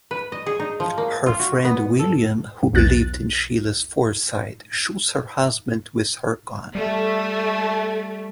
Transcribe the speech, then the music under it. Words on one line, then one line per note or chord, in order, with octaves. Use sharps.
Her friend William, who believed in Sheila's foresight, shoots her husband with her gun.
B4
D#5
G#4
D#4
F3
A#3
F4
F#4
B3
A4
B1 E2 F#6 A6
G3 A3